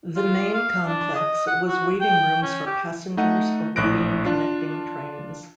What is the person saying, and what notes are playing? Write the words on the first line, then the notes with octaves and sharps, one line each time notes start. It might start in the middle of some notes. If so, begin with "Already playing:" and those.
The main complex has waiting rooms for passengers awaiting connecting trains.
F4
F5
D4
D#5
F#5
F#4
G5
C#4
G4
A3 D#4 F#5
A#1 A2 F#6 A#6 D7
D4 F4